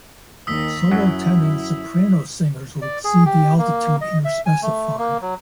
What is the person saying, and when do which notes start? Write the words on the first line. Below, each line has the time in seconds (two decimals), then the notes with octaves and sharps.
Solo tenor and soprano singers will exceed the altitude here specified.
0.47 D#2 D#3 D#6 E6 B6
0.91 F#2 F#3 E4
2.82 D5
3.04 G#4
3.26 G4
3.58 A#3
4.01 D#5
4.25 E5
4.46 G#5
4.62 A3
4.98 A#3
5.22 F#3